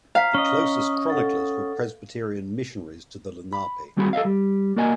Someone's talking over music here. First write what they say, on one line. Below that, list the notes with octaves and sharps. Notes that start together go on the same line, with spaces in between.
The closest chroniclers were Presbyterian missionaries to the Lenape.
F5 A#5 B6
C#4 D#5
A4 F#5 A6
B5
D#2 G3 C4 F#4 G#4 B5
A4 C#5 D#5 F5
G3
A#3 F#4 A#4 D5 D#5 G#5